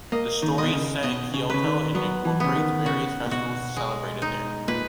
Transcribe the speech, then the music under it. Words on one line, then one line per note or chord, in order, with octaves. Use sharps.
The story is set in Kyoto, and incorporates various festivals celebrated there.
A#3 D#5
D#3
B2 D#5
C#3
B2 D#5
C#3
C#3 B4
D#3
F#3 B3
E3
C#3 B3
D#3
C#3 F#4
A#2
B2 F#4
G#3
D#4
A#2 B4